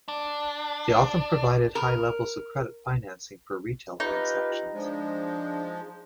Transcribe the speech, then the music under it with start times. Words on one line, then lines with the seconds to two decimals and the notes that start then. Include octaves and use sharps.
They often provided high levels of credit financing for retail transactions.
0.08 D4
1.75 A#4
4.00 D#4 F4 G4 B4
4.73 F3 G#3 D4